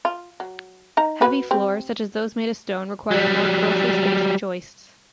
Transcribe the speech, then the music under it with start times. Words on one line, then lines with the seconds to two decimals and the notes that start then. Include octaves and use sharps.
Heavy floors, such as those made of stone, require more closely spaced joists.
0.05 F4
0.40 F#3
0.97 D#4 A#5
1.21 F#4 B4 F#5
1.51 C4 G4
3.11 F#3 G3